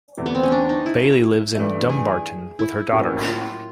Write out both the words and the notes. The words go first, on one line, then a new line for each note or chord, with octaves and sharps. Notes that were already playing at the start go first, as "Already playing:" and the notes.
Baillie lives in Dumbarton with her daughter.
E2 C3 E3 A3
B3
C4
C#4
D4
D#4
E4
G2 E3 A3
G#4
E4
A2 F#3 A#3 C#4
F4